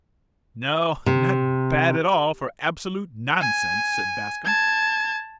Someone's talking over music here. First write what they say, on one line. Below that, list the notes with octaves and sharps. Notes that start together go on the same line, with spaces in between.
"No, not bad at all--for absolute nonsense," said Bascombe.
C3
G#5
A5 G#6